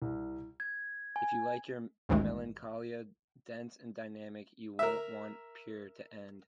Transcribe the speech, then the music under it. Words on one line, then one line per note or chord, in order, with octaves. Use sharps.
If you like your melancholia dense and dynamic, you won't want "Pure" to end.
C2
G#6
G#5
A1 D2 G#2 D#3 G#3 A3
A#4 E5